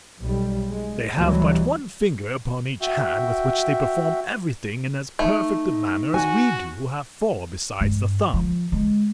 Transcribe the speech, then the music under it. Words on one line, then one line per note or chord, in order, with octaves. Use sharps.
They have but one finger upon each hand, with which they perform everything in as perfect a manner as we do who have four besides the thumb.
B1 G3
G#3
D2 B2 E3 F#3 G3
F#4 E5 G5
A3 D#4
F#4 G#5
G2
F3
G#3